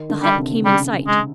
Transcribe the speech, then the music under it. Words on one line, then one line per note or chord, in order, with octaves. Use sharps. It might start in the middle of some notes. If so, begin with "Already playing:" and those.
The hut came in sight.
Already playing: D#3
D3
G3
C3
C#3 G3
G#3